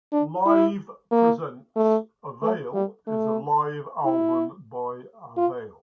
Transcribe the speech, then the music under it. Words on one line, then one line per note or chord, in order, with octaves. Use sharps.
Live Presents...Avail is a live album by Avail.
D4
E4
A#3
A3
A3
G3
A3
E4
F4